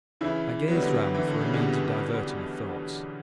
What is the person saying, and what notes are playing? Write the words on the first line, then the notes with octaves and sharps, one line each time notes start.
I gazed round for a means of diverting her thoughts.
C#3 E3 E4
F#3 B3
G3
D3 F#3
E3 E4
D3
C#3
B2 D3
G3